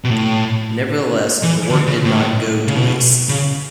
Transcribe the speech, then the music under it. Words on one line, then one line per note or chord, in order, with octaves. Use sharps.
Nevertheless the work did not go to waste.
B2
A2
E3
D3
C#3
A2
C#3
B2
C#3